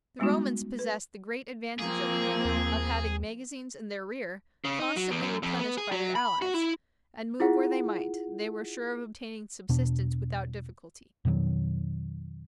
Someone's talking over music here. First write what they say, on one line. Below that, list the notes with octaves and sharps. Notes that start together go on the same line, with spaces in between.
The Romans possessed the great advantage over him of having magazines in their rear constantly replenished by their allies, and move where they might, they were sure of obtaining subsistence without difficulty.
G3 G#3 B3 C#4 D#4 F#4
B4
F3 A#3 C4 G#4
D#2
C#3
D#4
F#3
E2
F#2
F2
B3
G#4
F#3
B5
F#4
E4
E4 F4 G#4 F#5
E2 B2 D4
F2 B2 D#3 F#3